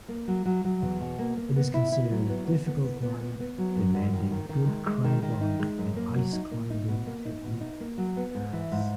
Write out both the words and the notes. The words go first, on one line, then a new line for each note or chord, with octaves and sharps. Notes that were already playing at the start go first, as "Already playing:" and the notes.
It is considered a difficult climb, demanding good crampon and ice-climbing technique.
A#3
F#3
F#3
F#3
E2
B2
A#3
A#3
B3
E4
E4
F#3
B3
B3
B3
B3
B3
B3
B3
F#3
F#2
F#2
D#3
D#3
D#3
G#3
G#3
D#3
D#3
D#4
G#3
F#2
A#3
F#3
D#4
A#3
D#4
B2
A#3
D#4
B2
D#4
A#3
F#3
B3
G#2
E3
G#2